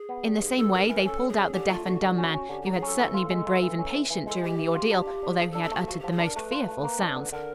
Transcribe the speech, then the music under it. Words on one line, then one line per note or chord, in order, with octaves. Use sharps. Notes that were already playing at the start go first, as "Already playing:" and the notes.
In the same way they pulled out the deaf and dumb man, who had certainly been brave and patient during the ordeal, although he had uttered the most fearful sounds.
Already playing: G#4
B3
G3
G2
G2 A4
G2 A#4
E3 A#4
C#4 A4
C#4
G#4
C#4
D3 G4
A3 F4
D3 F#4
D3
C#4
C#4
D3 G4
F#3 G4
G#4
C#4 A4
E3 A4
F4
G#3
F4
E3
C#4
E3
E3
G#3 A4
G#4
E3 G4
E3
F4
D4
F4
D4
F3 G#4
A4
D4
A4
A3 G4
F3 F#4
F3 G4
G#4
D4 A#4
A3 B4
F4
A3
A#3
D4
D3
D3 A#4